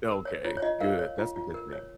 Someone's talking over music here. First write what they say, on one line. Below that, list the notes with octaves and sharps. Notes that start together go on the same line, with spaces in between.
Okay, good. That's a good thing.
A#4
C#5
F4 C#5
C#5
F4 D#5
A#4 F5
C#5
F4
F4
A#4
C#5